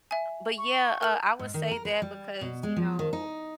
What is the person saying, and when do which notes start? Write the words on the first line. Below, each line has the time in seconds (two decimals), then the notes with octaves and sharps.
but, yeah, uh, I would say that because, you know,
0.11 E5 G#5
0.58 C#6
1.01 A#4 F6 F#7
1.39 G#2
1.54 D#3
1.71 A#4
1.85 B4
2.02 G3
2.41 B2
2.63 G#3
2.76 F3
2.99 D#3
3.13 D#4